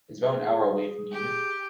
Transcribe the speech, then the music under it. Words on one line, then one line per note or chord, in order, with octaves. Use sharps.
It's about an hour away from Enid.
G#4
G4